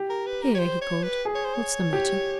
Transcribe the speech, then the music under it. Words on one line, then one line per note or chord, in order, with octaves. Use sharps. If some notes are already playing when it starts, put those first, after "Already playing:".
"Here," he called, "what's the matter?"
Already playing: G4
A#4
B4
A#4
C#5
C5
C#5
B4
G#4
C#5
C5
C#5
G4